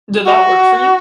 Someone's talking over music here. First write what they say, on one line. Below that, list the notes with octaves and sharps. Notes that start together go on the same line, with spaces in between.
Did that work for you?
F#4